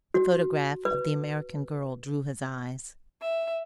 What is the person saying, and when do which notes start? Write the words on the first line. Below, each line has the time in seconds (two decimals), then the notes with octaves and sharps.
The photograph of the American girl drew his eyes.
0.14 F#4
0.85 B4
3.22 E5